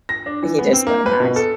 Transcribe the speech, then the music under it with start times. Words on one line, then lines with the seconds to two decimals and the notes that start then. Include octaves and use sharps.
but he just will not,
0.09 A#6
0.26 D4
0.43 E3
0.59 B3
0.73 C4
0.87 A#3
1.06 B4
1.20 B2
1.36 A4